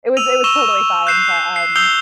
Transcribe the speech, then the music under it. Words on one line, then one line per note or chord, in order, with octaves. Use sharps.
it was it was totally fine, but, um,
E6 D#7 F7
C#6 E6 E7 G7
F#6 G6 C7 E7
C7
D#6 E6 G6 C7 F7 G7